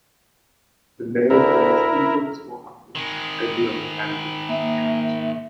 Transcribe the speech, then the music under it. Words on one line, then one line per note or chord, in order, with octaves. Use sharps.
The nail bends inwards or upwards depending on the angle of its cut.
D2 E4 A#4
D#3 G#3
A#3 E5